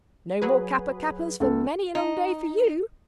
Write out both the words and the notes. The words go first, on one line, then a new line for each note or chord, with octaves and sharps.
No more Kappa-kappas for many a long day for you!
F#3 G#4 B4
C#2 A4
D#4